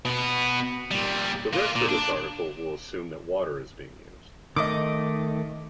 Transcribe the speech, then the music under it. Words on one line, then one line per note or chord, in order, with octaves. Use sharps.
The rest of this article will assume that water is being used.
B2 B3
A#2 G3
A#3 F4
A#2
D4
D#3 A3 D#5 D6